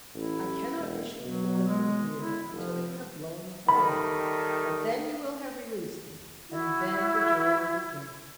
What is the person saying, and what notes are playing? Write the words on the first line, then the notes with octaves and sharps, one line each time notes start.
I cannot issue forth from here until you have blown the horn; but then you will have released me, and then the Joy will begin.
A1 E4
E1
B2 F#3
G#3
E4
F1 F3
D#3 G3 A3 B5
E4 F#4